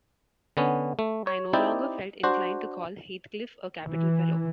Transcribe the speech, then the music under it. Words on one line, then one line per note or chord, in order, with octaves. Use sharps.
I no longer felt inclined to call Heathcliff a capital fellow.
D3 B3 C#4
A3
C#5
C4 D#4 E4 G4 D5
D4 F#4 C5
E3